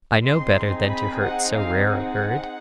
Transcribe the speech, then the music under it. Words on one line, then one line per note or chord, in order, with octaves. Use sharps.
I know better than to hurt so rare a bird.
C4 D#4 G#4 C6
B5
F#5
F5
F#5